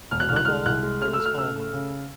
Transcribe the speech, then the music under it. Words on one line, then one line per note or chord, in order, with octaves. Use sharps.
Above all, there was Almah.
E1 F6
F#6
C2 F6
F#6
G#3 F6
C2 F#6
G#3
A3 F6
E6
A3
F6
C#3 E6
A3
C#3